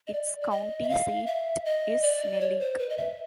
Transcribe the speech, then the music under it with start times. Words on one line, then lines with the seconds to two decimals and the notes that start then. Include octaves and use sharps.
Its county seat is Neligh.
0.07 D#5
0.13 D5
0.41 D5
0.51 D#5
0.83 E5
0.89 F5
1.26 E5
1.65 D#5
2.02 D5
2.40 C#5
2.60 C5
2.79 B4
2.90 D#5
2.98 E5